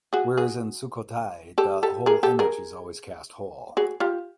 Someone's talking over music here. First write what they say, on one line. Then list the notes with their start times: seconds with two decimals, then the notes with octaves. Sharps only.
Whereas in Sukhothai the whole image is always cast whole.
0.13 F#4 G#4
0.37 F#4 G#4
1.58 G4 A4
1.83 G4 A4
2.06 G#4 A#4
2.23 G4 A4
2.39 G#4 A#4
3.77 F#4 G#4
4.00 F4 G4